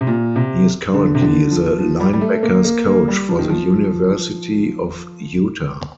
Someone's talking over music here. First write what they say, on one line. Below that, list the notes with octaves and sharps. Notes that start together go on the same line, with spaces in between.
He is currently the Linebackers coach for the University of Utah.
C3
A#2
C3
D3
C3
D3
F3
F3
G3
G3
A3
A#3
A#3
A#3
G3
F3
D#3
F3